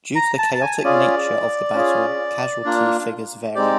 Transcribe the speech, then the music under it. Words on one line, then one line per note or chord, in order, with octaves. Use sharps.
Due to the chaotic nature of the battle, casualty figures vary.
A#5
A5
A5
G#5
C#4 F4 G#4 D5
C#4 F4 G#4
A#3 D4 F4
G#3 C4 D#4 G4 D5